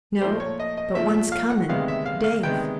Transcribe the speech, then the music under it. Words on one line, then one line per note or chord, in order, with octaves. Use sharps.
"No, but one's comin'--Dave."
A#2 F3 A3 C5
C#5
D#5
D#5
A#2 F3 A3 E5
E5
F5
F#5
D2 C3 D#3 G#3 B3 F5
E5
F5
F5
D2 C3 D#3 G#3 B3 G5